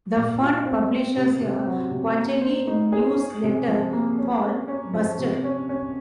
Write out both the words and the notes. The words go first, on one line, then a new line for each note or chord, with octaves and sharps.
The Fund publishes a quarterly newsletter called Busted!
A#2
F4
C4
C4
C3
C3
F#3
C3
A#3
C5
D#4
G#4
C#4
C3
F3
A#3
C#4
C#4
C#4
F3
C3
C#4
C#4